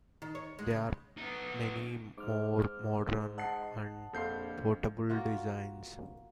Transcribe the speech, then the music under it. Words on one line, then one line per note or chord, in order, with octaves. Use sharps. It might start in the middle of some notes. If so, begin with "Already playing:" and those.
There are many more modern and portable designs.
D#3
C#5
G#3
C#3
B3 D#4
G#2 D6 F6
D#5 F#5 A5 F#6 C7
A#1 F2 A4 F5 C6 G6 C7
A#3 F4 F#4